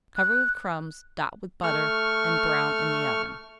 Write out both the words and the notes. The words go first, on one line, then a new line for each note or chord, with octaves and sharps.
Cover with crumbs, dot with butter, and brown in the oven.
F#6
A3 C#6 F6